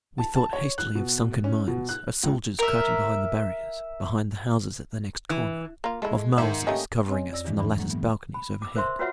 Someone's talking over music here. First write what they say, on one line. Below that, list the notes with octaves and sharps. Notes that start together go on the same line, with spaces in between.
We thought hastily of sunken mines, of soldiers crouching behind the barriers, behind the houses at the next corner, of Mausers covering us from the latticed balconies overhead.
A5
A5
C#5
F#6
B2
C#4
B2
F#6
C#2
A#4 E5
E3
A#3 F4
G#3 A3 E4
G#2 D#3 E5
A3 A#3 C#4 G4 D#5
C4 C#4 C#5 D#5 G#5
F2 D5 E6 A#6
E2 G2 D#3 E3 G#3 D4
G2 D3 E3 G3 D4 B5
A2 F#3 G#3 A#3
G2 E3 B3
B5
D6 E6
A#4 C5 E5 C6
F4 F#4 B4 C#5 E5 F#5